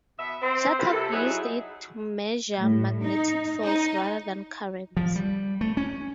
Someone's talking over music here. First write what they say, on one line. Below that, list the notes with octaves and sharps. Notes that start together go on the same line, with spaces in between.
Chattock used it to measure magnetic fields rather than currents.
B2 B3 E5
C4 C5
G3 A#3 E4 F4 B4
C3 A4
F#3 D#4 E4 G#4
A2
D#4
D#4
F3
G3
A3
C#4